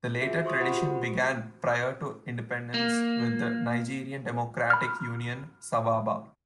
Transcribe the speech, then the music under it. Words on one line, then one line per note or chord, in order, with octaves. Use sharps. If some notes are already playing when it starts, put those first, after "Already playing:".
The latter tradition began prior to independence with the Nigerien Democratic Union-Sawaba.
F4 F#4 G#4 E5
C5 C6 C#6 D#6
F4 G4 C5 F#5 B5
F#4 G4
A#3
B5 F6